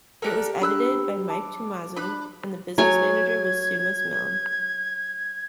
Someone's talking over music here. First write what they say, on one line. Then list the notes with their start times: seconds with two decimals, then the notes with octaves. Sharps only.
It was edited by Mike Toumazou and the business manager was Seumas Milne.
0.22 G4 A4 A#4 D5 F#6
0.61 D4 B5 E6 F#6
1.30 A5 D6
1.96 D4 B5 F#6
2.78 F#3 C#5 G#5 G#6